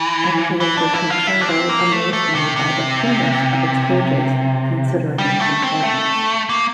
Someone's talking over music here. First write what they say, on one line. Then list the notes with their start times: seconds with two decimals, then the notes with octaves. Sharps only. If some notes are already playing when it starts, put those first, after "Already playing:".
Actually, your concerto amazed me by the fewness of its pages, considering its importance...
Already playing: E3
0.60 E3
0.77 D4
0.94 E4
1.10 F4
1.27 E4
1.42 D4
1.49 C4
1.69 A#3
1.92 A3
2.13 A3
2.35 C3
2.57 C3
5.19 G3
5.40 A3
5.62 C4
5.83 A3
6.49 A#3